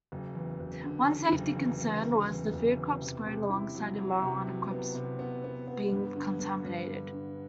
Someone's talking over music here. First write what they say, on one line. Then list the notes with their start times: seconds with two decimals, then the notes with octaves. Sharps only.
One safety concern was the food crops grown alongside the marijuana crops being contaminated.
0.12 F#1
0.35 E2
0.60 F#1
0.84 D3
1.08 D3
1.32 F#1
1.57 E2
1.81 E2
2.05 E2
2.29 E2
2.53 F#1
2.78 E2
3.01 C3
3.26 C3
3.50 E4
3.75 F#3
3.98 F#3
4.22 C3
4.47 F#3
4.71 B3
4.95 C3
5.19 B3
5.44 B3
5.68 B3
5.92 G2
6.16 D3
6.40 G2
6.65 G2
6.89 D3
7.13 D3